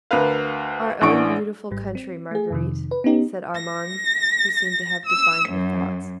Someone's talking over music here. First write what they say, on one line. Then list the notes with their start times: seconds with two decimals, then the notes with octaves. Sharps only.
"Our own beautiful country, Marguerite," said Armand, who seemed to have divined her thoughts.
0.11 D2 A#4 B4 F5
1.01 A1 E3 D4 F#5 C#6 D7
1.71 G#1 G#2 G3
1.95 C4
2.31 A3 G#4
2.50 F2 C3 D#3
2.91 B4
3.04 B3 C#4 D#4 G4
3.54 A#6
5.05 E6
5.48 F#2